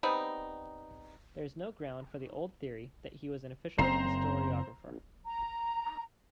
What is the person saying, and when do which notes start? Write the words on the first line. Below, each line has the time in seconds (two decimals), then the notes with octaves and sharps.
There is no ground for the old theory that he was an official historiographer.
0.03 G3 B3 C4 D#4
3.78 F#1 C#3 C4 C5 A#5 C7
5.26 A#5